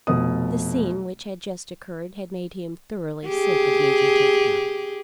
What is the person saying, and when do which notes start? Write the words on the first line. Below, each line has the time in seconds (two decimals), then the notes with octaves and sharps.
The scene which had just occurred had made him thoroughly sick of Major Tifto.
0.07 F1 B2 D#6
3.28 G4 G#4